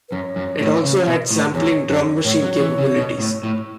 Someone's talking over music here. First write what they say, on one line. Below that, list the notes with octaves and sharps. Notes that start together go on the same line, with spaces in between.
It also had sampling drum machine capabilities.
B4
F#2 C#5
F#2
A2
C#3
B2
A2
E2 C#5
F#2
A2 C#5
F#3
E3
C#3
B2
A2
A2